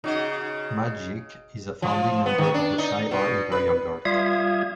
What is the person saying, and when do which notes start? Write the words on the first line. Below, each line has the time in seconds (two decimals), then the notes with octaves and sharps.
Magique is a founding member of the Shi'ar Imperial Guard.
0.04 C#3 D#4 F#4 D#5
1.82 F3
2.26 B3
2.38 D#3
2.54 D4
2.78 D#4
3.11 B2
3.52 B4
4.05 G3 F4 E5 F5 D#6 G#6